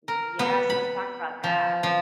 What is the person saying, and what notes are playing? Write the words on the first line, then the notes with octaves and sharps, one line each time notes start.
Yes. Let's talk about that.
A#4
B3
B5
F3
F3